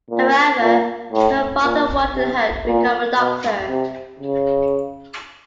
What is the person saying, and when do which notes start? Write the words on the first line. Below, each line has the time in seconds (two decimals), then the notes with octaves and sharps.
However her father wanted her to become a doctor.
0.11 A#2
0.61 A#2
1.13 A2
1.63 A#2
2.14 C3
2.66 A#2
3.17 B2
3.69 C3
4.20 C#3